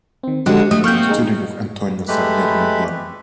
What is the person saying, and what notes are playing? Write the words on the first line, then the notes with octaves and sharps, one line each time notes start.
He studied with Antonio Salieri in Vienna.
D#3 C4
D3 G#3 F#4 G4 F#5
A3 D#5
A#3 C4 C#6 F6 G6
D#4 G#4
G#3 A3 G4 B4 B5